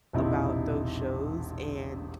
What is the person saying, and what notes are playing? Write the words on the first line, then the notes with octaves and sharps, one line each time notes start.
about those shows, and
E1 A#1 C3 D#4 E4